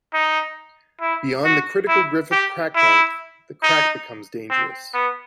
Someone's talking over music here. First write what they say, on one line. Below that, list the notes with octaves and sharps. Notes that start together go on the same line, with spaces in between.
Beyond the critical Griffith crack length, the crack becomes dangerous.
D#4
E4
F#4
E4
G4
E4
D#4
C4
B3